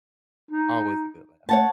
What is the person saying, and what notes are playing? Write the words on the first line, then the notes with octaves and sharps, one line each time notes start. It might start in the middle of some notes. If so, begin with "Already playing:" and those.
always a good laugh.
D#4
A3 C#5 F#5 A5